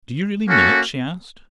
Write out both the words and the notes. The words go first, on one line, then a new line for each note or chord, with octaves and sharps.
"Do you really mean it?" she asked.
A#3 C#4 F#4 A4